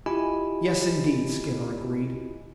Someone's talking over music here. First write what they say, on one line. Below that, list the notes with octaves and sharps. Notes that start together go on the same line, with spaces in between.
"Yes, indeed," Skinner agreed.
E4 F4 G4 D#5 G#5 B5